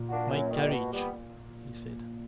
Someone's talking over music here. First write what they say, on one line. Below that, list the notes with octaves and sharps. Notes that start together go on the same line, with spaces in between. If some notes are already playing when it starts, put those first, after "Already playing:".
"My carriage!" he said.
Already playing: A#2
A#3 D4 F#4
F#2
D#3 G3
B2
G3 B3